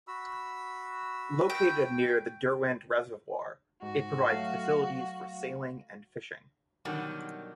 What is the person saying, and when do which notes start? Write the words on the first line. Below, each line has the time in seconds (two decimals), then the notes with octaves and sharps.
Located near the Derwent Reservoir, it provides facilities for sailing and fishing.
0.08 F#4 B5 E6
1.50 G5
3.82 G#2 F#4
4.30 F#3 A3 F5
6.85 B2 D3 D#3 F#3 G3